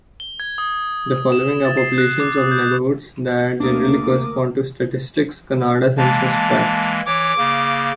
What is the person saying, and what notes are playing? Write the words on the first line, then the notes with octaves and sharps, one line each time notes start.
The following are populations of neighbourhoods that generally correspond to Statistics Canada census tracts.
G7
G#6
D#6
E7
A6
C7
F#6
D6
D#6
G6
D2 A3 A#3 D4 A#4 D6 D#6
E3 G#3 A#3 A5
A5
E3 C#5 D6
C#3 A#3